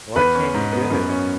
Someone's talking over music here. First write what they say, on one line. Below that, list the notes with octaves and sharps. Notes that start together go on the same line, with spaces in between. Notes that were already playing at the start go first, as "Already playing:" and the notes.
Why can't you get it?
E2 B4
C#4
G#2
B3
F#2
C#4